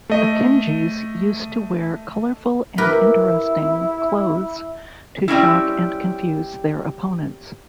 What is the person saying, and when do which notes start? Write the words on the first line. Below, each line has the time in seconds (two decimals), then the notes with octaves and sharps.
Akinjis used to wear colourful and interesting clothes to shock and confuse their opponents.
0.10 A3 D#5
2.78 E4 G4 A#4 B4
5.28 G3 C4 C#4 E4